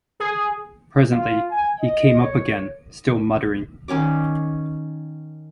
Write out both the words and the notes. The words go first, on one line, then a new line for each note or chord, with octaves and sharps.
Presently he came up again, still muttering.
G#4
F4
G#5
D#5
C#5
D#3 C#4 C#5 D6